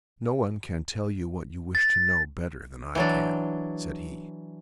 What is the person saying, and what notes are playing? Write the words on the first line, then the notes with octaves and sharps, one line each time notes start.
"No one can tell you what you wish to know better than I can," said he.
A6
E3 F#3 D4